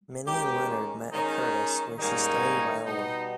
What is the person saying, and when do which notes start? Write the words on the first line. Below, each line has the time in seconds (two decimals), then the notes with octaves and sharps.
Minnie and Leonard met at Curtis, where she studied viola.
0.25 D#3 G#3 C#4 G4
1.12 D#3 G#3 C#4 D#4
1.98 G#2 D#3 G3 A#3 C#4 D#4
2.84 B2 G3 B3 D#4